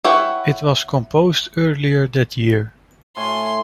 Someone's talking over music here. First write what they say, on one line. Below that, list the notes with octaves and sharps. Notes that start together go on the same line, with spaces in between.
It was composed earlier that year.
E4 B4 C#5 F#5 G5
A2 G#5 C6 C#6